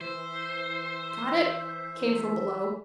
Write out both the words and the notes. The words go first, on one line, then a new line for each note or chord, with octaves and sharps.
"Got it?" came from below.
E3 C5 E5